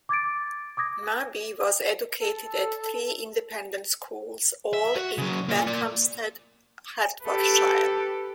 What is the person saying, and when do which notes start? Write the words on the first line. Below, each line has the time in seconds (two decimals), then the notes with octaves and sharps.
Mabey was educated at three independent schools, all in Berkhamsted, Hertfordshire.
0.09 D6 G#6 A6 D7
0.77 D6 D#6 G#6 A#6
2.21 A4
4.73 E5
4.95 F#4
5.18 C#3 F#3
5.49 A#3 F4
5.67 A#3 D5
7.24 G4 A4 B4